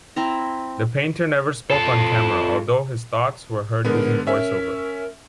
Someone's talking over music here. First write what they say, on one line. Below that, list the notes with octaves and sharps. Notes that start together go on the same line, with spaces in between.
The Painter never spoke on-camera, although his thoughts were heard using voice over.
C4 E4 A#5
F4 A4
D3 G#3 B3 A#4
C#4 A#4 E5